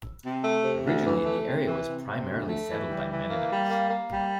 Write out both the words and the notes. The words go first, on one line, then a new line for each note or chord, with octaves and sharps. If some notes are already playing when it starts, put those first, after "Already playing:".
Originally, the area was primarily settled by Mennonites.
C3
A3
C3
D2
E3
A3
C3
E3
C3
C3
D2
A3
E3
G3
E3
A#3
G3
A#3
A#3
G3